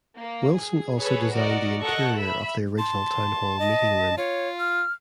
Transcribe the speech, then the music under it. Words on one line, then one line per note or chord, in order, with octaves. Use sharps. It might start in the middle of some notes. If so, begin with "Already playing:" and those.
Wilson also designed the interior of the original Town Hall meeting room.
A#3
G#4
G#4 A4 B4 C#5
F#4 A#4 D5 D#5
A4 A#4 D#5 F#5 C#6 F#6
E5 B5
A5 C6
D#5
F4 C#5
F6